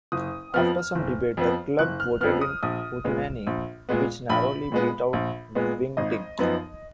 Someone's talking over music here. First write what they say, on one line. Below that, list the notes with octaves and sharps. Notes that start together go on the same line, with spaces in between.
After some debate the club voted in "hootenanny", which narrowly beat out "wingding".
F#1 D#6
F2 F3 B3 F6
F#1
F2 F3 B3
F#1 F#6
F6
F2 F3 B3 F6
D#6
A#1 D#6
A#2 G#3 B3
A#1
A#2 G#3 B3
A#1 B5
A#2 G#3 B3
A#1
A#2 G#3 B3
G#1 D#5
F#2 F3 B3 D#4